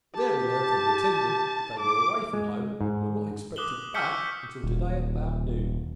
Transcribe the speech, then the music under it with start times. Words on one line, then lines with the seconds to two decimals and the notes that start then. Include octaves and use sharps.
There we learned from the attendant that they were away from home and were not expected back until to-day about noon.
0.15 G4 A5
1.80 D6
2.33 G#3
2.81 G#2
3.56 D6 D#6 F#6 E7 F#7 G7
3.95 C#6 E6 F6 G6 B6 C#7
4.64 D#1